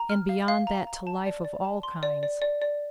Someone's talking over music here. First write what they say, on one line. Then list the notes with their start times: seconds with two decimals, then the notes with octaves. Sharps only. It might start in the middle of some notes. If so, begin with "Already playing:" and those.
And beyond that to life of all kinds.
Already playing: A#5
0.10 F6
0.29 F5
0.48 F5
0.67 A#5
0.87 A#5
1.07 A5
1.26 D5
1.45 D5
1.65 A5
1.83 C6
2.03 D5
2.23 D5
2.42 D5
2.62 D5